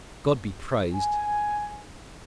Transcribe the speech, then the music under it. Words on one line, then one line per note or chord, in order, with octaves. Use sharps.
God be praised!
G#5